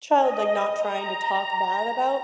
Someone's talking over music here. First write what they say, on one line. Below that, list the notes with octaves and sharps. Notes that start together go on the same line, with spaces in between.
child, like, not trying to talk bad about
D#5
A#5